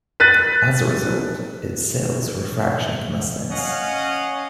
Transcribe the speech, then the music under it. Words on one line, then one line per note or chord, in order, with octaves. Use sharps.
As a result, its sales were a fraction of the Mustang's.
F#6 A6 B6 D#7
C#4 D#5 F5 F#5